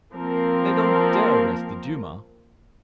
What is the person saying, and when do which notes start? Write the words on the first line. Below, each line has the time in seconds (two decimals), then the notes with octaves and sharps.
They don't dare arrest the Duma!
0.15 F3 A#3 C4 A#4